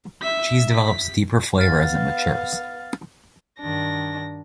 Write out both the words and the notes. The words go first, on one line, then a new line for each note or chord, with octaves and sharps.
The cheese develops deeper flavours as it matures.
E5 B6
B6
B3 F5 F6 A6
G2 D#3 D4 A#6